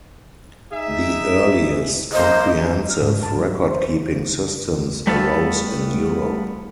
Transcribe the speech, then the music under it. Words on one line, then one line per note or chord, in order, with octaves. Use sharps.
The earliest comprehensive recordkeeping systems arose in Europe.
D#4 G#4 E5
A#3 C5 D#5
F6
G#2
A5
F#3
C5
G3 A3 B3 F4 A4